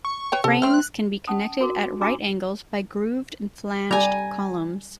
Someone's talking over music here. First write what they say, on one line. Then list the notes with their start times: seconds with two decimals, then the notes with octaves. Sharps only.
Frames can be connected at right angles by grooved and flanged columns.
0.05 C#6
0.32 B4 C#5 G5
0.44 C3 A4 A5
0.62 A3 C4 F6
0.74 F#6
1.28 C#4 A5 D#6
1.61 F#4 A#4 D6
2.01 D4 F#4 G#5 A#5 D6 E6
3.91 G3 G#5 A#5